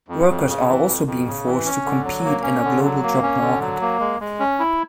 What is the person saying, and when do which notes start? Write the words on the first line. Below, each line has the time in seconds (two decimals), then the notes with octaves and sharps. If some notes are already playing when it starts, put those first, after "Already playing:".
Workers are also being forced to compete in a global job market.
0.08 F2
0.29 F2
0.48 C#3
0.68 E3
0.87 F2
1.06 F2
1.26 C#3
1.46 E3
1.65 C#4
1.85 D3
2.05 F#3
2.24 A#3
2.43 C#4
2.63 D3
2.83 F#3
3.03 A#3
3.22 C#4
3.41 D3
3.60 F#3
3.81 A#3
4.00 G#3
4.20 G#3
4.40 C#4
4.59 E4